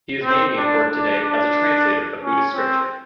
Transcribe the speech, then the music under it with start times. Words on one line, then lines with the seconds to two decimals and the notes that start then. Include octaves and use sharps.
He is mainly important today as a translator of Buddhist scripture.
0.23 C4
0.57 D4
0.90 D4
1.23 D4
2.22 C#4
2.55 C4